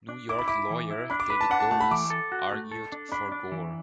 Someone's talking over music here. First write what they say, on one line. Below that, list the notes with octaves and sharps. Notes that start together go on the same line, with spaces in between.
New York lawyer David Boies argued for Gore.
D4
E4 D6
B5
E4 D6
E3
E4
D4 B5
D6
B4 B5
A5
D4 F#5
A5
A3 A5
B5
E3 D6
A4
F#4
A3
A4
D4
D4 B5
D4
E3